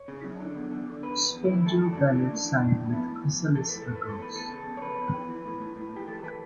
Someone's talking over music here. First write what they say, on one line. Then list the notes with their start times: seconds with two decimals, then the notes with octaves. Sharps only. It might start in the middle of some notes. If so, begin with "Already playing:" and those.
Spandau Ballet signed with Chrysalis Records.
Already playing: C#5
0.08 C#3
0.24 F#2
0.40 D3
0.55 E2
0.71 D3
0.87 D3
1.03 E2 B4
1.19 E2
1.35 E2
1.45 E4
1.51 E2
1.66 A2 A4
1.82 E3 F#4
1.93 D4
1.97 E3 C#4
2.07 E4
2.13 A2 D4
2.29 A2
2.44 E3
2.61 A2
2.76 E3
2.92 E3 B3
3.08 A2
3.23 E3
3.40 E3
3.55 E3 A4
3.69 A2 B4
3.82 A2 A4
3.95 B4
4.03 A2
4.09 A4
4.18 E2 B4
4.34 E2 A4
4.50 C#3
4.66 E2
4.77 C#5
4.81 C#3 B4
4.98 E2
5.14 E2
5.29 E3
5.45 A2
5.60 A2
5.76 A2
5.92 A2 G4
6.08 E3 A4
6.23 E3 B4